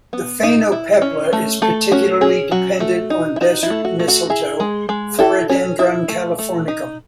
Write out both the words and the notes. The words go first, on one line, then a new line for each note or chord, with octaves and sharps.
The phainopepla is particularly dependent on desert mistletoe, "Phoradendron californicum".
B3
D#4
E4
C#4
A3
A3 A4
C#4 F#4
C#4 G#4
F#3 F#4
A3
D#4
E4
D#4 F#4
E4
A3
F#4
A3
F#4
E4 G#4
G#3
G#3
E4 A4
C#4
E4
A3
A3
D#4